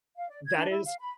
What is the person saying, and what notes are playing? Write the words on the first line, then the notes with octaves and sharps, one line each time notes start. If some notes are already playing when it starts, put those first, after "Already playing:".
that is
F5
D5
G#6
D4
E4
F5
B5